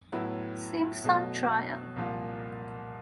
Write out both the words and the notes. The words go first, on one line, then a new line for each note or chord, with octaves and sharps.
Simpson trial.
A2 F#3 B3 E4
B2 F#3 A3
C2 A#2 F3 A#3